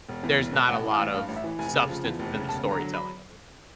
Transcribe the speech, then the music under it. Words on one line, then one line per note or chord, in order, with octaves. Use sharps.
there's not a lot of substance within the storytelling of it.
E1
E2
E1
B2
A1 F#5
E3
F5
A1
G2 F5
A1
E5
E3
F1 G#5
C#3
F3
E2
F1
C#3
E1 A5
D3
A#5
F#3
B5